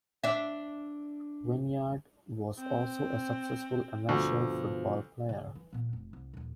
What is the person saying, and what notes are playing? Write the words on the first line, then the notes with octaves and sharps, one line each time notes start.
Wynyard was also a successful amateur football player.
D4 E5
C4
D2 G2 B2 F3
C#3
E3
A#2 B3
F1
C2
D#1 F2